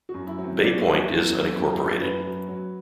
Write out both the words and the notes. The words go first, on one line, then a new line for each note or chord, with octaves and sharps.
Bay Point is unincorporated.
F#4
F#2
E4
F#3
C4
F#3 D4
F#4
E4
F#3
F#4
F#2
A4
F#3
A4
F#2
G4
F#2
A4
F#2 B4
F#3
F#3